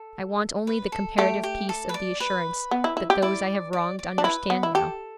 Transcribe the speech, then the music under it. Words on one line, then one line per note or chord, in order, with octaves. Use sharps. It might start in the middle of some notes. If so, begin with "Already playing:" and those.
I want only the comparative peace of the assurance that those I have wronged understand now.
Already playing: A4
B4
A4
A3 G4
G4
A4
B4
D5
B4
B3
E4
E4
G4
E4 D5
D5
D5
D4
E4 B4
B3
E4
G4 A4